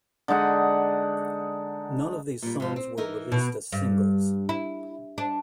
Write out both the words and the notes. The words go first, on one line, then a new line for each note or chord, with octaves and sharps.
None of these songs were released as singles.
D3 G#3 D#4 F#5
A#2 G3
G#2 F3
C4
E3 D#4 A#4
B2
G2
E4
D4